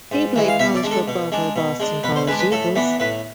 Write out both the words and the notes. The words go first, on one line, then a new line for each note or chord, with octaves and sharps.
He played college football for the Boston College Eagles.
G#2
E3 G#3
F5
B2 E5
D5
G#3 D4
A4
B2
G#3 D4
B2
G#3 D4
B2 B4
C5
G#3 D4 B4
B4
A2 A4
E3 B3 D4
A2 B4